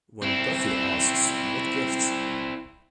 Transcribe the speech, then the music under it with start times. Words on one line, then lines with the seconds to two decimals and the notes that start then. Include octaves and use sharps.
When Buffy asks What gift?
0.22 C4 E4